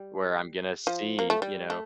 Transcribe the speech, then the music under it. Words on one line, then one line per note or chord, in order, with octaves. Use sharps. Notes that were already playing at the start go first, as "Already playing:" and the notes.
where I'm gonna see, you know,
Already playing: G3
F3
A#3
A3
G3
A3